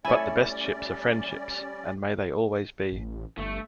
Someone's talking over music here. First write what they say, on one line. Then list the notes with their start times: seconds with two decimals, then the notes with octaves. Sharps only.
But the best ships are friendships, and may they always be.
0.05 G3 A3 C#4 E4 C#5 D5 G#5
2.92 A1
3.38 G1 A3